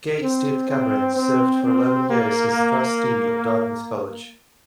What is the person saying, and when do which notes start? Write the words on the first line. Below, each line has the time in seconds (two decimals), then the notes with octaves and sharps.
Kate Stith-Cabranes served for eleven years as a trustee of Dartmouth College.
0.22 C4
0.69 C4
1.16 C4
1.63 C4
2.11 A#3